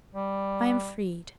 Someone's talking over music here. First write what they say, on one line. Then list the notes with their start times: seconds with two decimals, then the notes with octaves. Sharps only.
I am freed.
0.15 G3